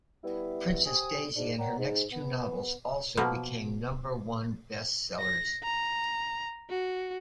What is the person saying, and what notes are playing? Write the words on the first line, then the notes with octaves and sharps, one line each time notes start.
"Princess Daisy" and her next two novels also became number one bestsellers.
G3 B3 E4
G4 C5 G#5 D#6
G#2 D4
A#4 C#5 D5 F#5 G5 A#5
G#2
B3
B2 F3 A#3
A#6
A#5
F#4